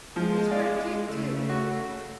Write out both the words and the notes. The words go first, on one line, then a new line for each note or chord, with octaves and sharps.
And he's pretty cute, too.
F3 G#3
D5 D#5 F5
C#3 A3
F#4